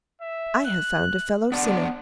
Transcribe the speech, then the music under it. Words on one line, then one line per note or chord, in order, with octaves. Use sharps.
"I have found a fellow-sinner."
E5
F#6
B3 D4 D5 F#5